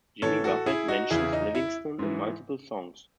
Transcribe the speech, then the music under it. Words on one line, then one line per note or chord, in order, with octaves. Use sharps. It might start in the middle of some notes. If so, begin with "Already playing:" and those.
Jimmy Buffett mentions Livingston in multiple songs.
A2 E3 A4 C#5
F#4 A4
E4 G#4
D#4 F#4
E2 C#3 E3 E4 G#4
D#4
E4
G#2 E3